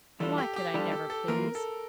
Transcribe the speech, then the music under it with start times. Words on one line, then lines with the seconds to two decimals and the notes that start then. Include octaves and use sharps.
Why could I never please?
0.20 E2 E3 G3 D4 F4 A4
0.38 G4
0.56 G4
0.74 E2 E3 G3 D4 F4 A4
0.92 A4
1.10 A4
1.28 E3 A#3 F4 A#4
1.55 A4